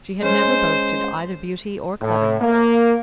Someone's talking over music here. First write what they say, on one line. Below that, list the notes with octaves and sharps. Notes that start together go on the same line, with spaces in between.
She had never boasted either beauty or cleverness.
G#3 C#4 C5
A2
A#3